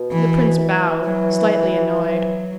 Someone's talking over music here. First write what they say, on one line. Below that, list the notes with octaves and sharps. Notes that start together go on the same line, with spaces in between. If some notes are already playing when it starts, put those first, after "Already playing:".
The prince bowed, slightly annoyed.
Already playing: B2
E3
E3
F#3
F#3